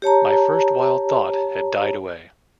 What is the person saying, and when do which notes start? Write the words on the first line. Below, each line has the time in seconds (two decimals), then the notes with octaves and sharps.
My first wild thought had died away.
0.02 G4 C#5 A5 A#5